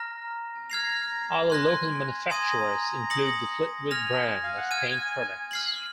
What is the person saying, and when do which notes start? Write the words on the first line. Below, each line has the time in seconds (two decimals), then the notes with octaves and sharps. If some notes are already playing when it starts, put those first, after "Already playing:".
Other local manufacturers include the Fleetwood brand of paint products.
Already playing: A#5 F6 A#6
0.70 A#5 F6 G#6 C7 F7
1.50 G#5 C6 F#6 A#6
2.30 G#5 A#5 C6 D#6 G#6 D#7
3.10 D#6 A#6 C#7 F#7
3.90 G#5 F6 A#6 F7
4.44 F5
4.57 F#5
4.71 G#5 F6 G#6 D#7
5.51 F6 C7 F#7